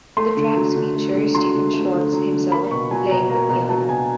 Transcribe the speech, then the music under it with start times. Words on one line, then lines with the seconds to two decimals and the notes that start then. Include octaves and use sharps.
The tracks feature Stephen Schwartz himself playing the piano.
0.17 A3 C6
0.37 D3
0.56 F#3
0.76 D3
0.96 A3
1.15 D3
1.34 F#3 C6
1.54 D3
1.73 A3
1.93 D3
2.13 F#3
2.32 D3
2.52 A#3 B5
2.71 B2 C#6
2.91 F#3 G#5
3.11 B2 A#5
3.30 A#3 A#5
3.49 B2 A#5
3.69 F#3 A5
3.89 B2 G#5